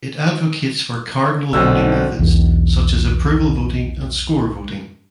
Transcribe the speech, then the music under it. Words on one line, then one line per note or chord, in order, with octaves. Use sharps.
It advocates for cardinal voting methods such as approval voting and score voting.
B1 D3 C4 E6
B1 E2 B2